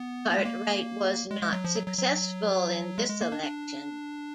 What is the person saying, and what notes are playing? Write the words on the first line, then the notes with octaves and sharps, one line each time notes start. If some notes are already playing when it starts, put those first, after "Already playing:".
Cartwright was not successful in this election.
Already playing: B3
A#3
G#3
A#3
G#3
G#3
F#3
F3
F#3
F#3
F#3
G#3
G#3
A#3
D4
D4